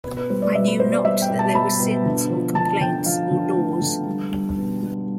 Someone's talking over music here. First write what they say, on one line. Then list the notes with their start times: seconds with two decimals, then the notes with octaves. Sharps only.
I knew not that there were sins or complaints or laws.
0.04 B2 B4
0.17 B4
0.30 G3 C5
0.42 D5
0.55 B2 E5
0.67 B4
0.79 B2 C5
0.92 D5
1.04 G3 E5
1.22 G5
1.30 B2
1.39 A5
1.55 G3 B5
1.80 B2
2.06 D3
2.30 F3
2.55 D3 A5
2.80 D3 G5
3.06 F3 F5
3.31 D3
3.57 A3
3.82 D3
4.07 G3
4.31 G3
4.57 B2
4.83 G3